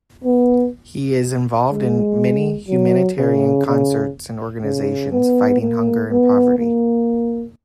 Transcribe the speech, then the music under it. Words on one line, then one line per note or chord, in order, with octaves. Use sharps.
He is involved in many humanitarian concerts and organizations fighting hunger and poverty.
B3
G#3
F#3
C#3
C#3
C#3
B3
A#3
B3
A#3